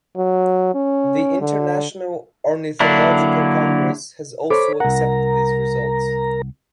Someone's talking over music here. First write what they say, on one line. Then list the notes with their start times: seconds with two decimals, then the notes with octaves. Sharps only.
The International Ornithological Congress has also accepted these results.
0.17 F#3
0.75 C#4
1.41 D3
2.80 D3 F#3 A#3 D4 E4
4.50 A4 C5 C#5 B5 D6
4.80 C2 A#4 F#5 A#5